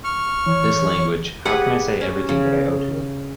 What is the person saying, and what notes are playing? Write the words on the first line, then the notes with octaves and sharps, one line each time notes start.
This language, how can I say everything that I owe to it?
C#6 F6
E3 C#5
G4 G#4 B4 F#5
C#4
C#3